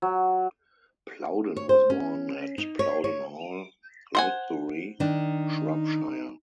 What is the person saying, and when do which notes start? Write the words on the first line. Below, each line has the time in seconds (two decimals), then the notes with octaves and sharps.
Plowden was born at Plowden Hall, Lydbury, Shropshire.
0.02 F#3
1.57 C#5
1.69 C5
1.90 C#4
2.58 D#4
2.79 C#5
3.04 C#5
4.15 C5 F#5 G#5
5.00 D#3 D4 D#4